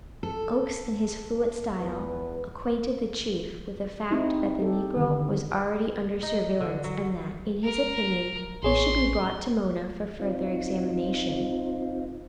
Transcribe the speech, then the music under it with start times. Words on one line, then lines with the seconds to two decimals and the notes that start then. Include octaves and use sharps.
Oakes, in his fluent style, acquainted the Chief with the fact that the negro was already under surveillance and that, in his opinion, he should be brought to Mona for further examination.
0.23 A4
1.80 E2 B4
4.11 C4 D#4 E4 G4
4.60 G4 A4
4.97 D3 D#3
6.23 D#4
6.61 D3
6.84 F#3
7.64 A#4
8.63 A1 G#4 C#5 C6
10.19 C4 D#4 F4